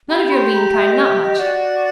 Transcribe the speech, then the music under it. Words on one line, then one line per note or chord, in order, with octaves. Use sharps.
None of your lean kine, not much.
G4 B5
C#6
C6
B5
A#5
E5
D#5
E5
D#5
F#4 D5